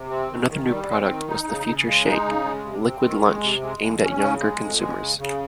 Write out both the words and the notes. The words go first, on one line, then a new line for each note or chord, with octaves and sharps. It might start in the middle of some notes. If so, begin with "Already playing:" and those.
Another new product was the Future Shake, a "liquid lunch" aimed at younger consumers.
Already playing: C3
C4
D#3
D#3
G3
C4
D#3
D#4
C#3
C#3
G#3
D#4
C#3
G#3
C3
C4
D#3
G#3
C3
G#3
F2
C#4
C#3
G#3
F2
G#3
C#3
C#3